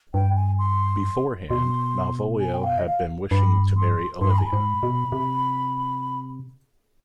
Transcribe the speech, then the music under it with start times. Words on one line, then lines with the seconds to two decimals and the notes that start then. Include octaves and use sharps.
Beforehand, Malvolio had been wishing to marry Olivia.
0.14 G2 G5
0.36 G#5
0.59 C6
1.50 B2 C6
2.40 G#5
2.54 G5
2.63 F5
2.78 D#5
2.86 F5
3.31 G2 B5
3.77 C6
4.21 G2 C6
4.30 B5
4.38 G#5
4.47 B5
4.53 G#2
4.83 B2
5.12 C3